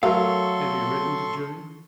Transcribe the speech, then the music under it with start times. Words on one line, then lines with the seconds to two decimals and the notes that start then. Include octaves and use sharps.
"Have you written to Julia?"
0.03 F#3 A3 A4 A#4 F5 C6 C#6